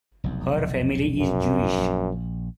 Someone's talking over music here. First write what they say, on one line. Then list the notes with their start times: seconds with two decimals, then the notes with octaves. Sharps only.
Her family is Jewish.
0.24 F1 B1 E2
1.19 F#2
1.78 A#1